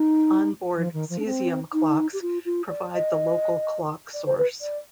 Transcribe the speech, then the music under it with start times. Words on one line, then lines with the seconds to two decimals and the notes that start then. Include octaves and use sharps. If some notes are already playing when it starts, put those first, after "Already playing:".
On-board cesium clocks provide the local clock source.
Already playing: D#4
0.77 F3
0.93 D#3
1.09 F3
1.19 D4
1.25 C4
1.73 D#4
2.13 G4
2.22 F4
2.45 F4
2.69 D5
2.93 D#5
4.14 D5
4.26 C5
4.38 B4
4.61 D5